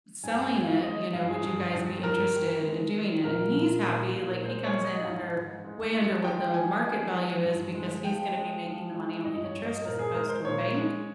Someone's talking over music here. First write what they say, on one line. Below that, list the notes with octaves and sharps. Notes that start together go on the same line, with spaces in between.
selling it, you know, would you guys be interested in doing it?" And he's happy, like, he comes in under way under what the market value is because he's gonna be making the money on the interest as opposed to a bank.
G2 G#5
G#5
G#3
F5
G#3 D#5
G2 F5
G#4
G2
G2
G2 A#4
D#3
G#3
G#3
A#2 A#4
A#2
A#2
A#2
G#3 C5
C#5
G#3
D#5
G#2 F5
G#2
G#3
G#3
G#3 G5
F3 G#5
G#3 G#5
F3
G2
G#3
F3 G5
G#3
F3
G#3
G2 D#5
C#5
G2
D#5
A#2 A#4
G#4
G#3 A#4
C5
A#2 C#5
G#3